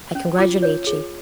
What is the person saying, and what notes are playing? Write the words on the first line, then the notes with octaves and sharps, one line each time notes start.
I congratulate ye.
C#4
F4 D6
C#5
G#4